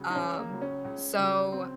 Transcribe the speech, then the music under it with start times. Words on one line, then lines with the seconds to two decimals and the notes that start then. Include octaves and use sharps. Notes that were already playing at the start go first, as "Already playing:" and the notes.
Um, so,
Already playing: C#2 C#3 F#3
0.10 D#4
0.15 C#2 C#4
0.38 A#3
0.50 C#3 F#3
0.62 C#4
0.85 C#2
1.18 C#3 F#3
1.52 C4